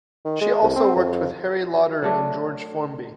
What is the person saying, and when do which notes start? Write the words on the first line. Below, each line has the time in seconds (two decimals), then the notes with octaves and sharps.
She also worked with Harry Lauder and George Formby.
0.25 D#3
0.41 G#3
0.62 C2
0.76 C4
0.95 F2
2.02 F#3 A3 D4